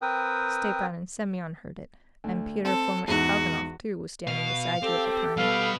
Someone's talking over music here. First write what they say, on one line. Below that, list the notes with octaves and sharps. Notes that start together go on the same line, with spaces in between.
Stepan and Semyon heard it, and Pyotr Fomitch Kalganov, too, was standing beside you at the time.
C4 A#4 B4 G5 D#6
D2
C4 A4
E2 G#2 F#4
B2 B3 F5
C4 G4 A4
B2 G3 B4 F5